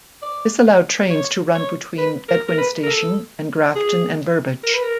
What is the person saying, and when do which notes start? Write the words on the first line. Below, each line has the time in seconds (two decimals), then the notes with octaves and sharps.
This allowed trains to run between Bedwyn station and Grafton and Burbage.
0.22 D5
1.10 C#5
1.55 C#5
1.98 B4
2.29 A#4
2.48 A#4
2.58 B4
2.83 A#4
2.87 A4
3.76 G#4
4.64 A#4
4.74 B4
4.84 A#4